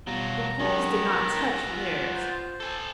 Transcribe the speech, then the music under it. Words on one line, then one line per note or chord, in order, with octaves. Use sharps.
The Poles did not touch theirs.
B2 F#3 G3 F4 A#5
D#3 F#3 G#3 B3 C#4 G4
F4
C5
A4 G#5